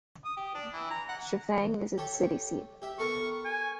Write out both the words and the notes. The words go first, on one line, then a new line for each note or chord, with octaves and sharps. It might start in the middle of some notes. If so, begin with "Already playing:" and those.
Shifang is its city seat.
D#6
G4
D4
E3
A#5
F#5
G4 A4 C#5
G4 E5
B3 A4 A#4 C#6
G#5